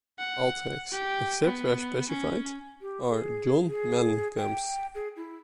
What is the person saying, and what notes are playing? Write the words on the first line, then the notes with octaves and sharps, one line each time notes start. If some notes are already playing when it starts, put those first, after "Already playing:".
All tracks, except where specified, are John Mellencamp’s.
F#5
G4
B3
C#4
G4
G#4
G#4
G5
G#4
E4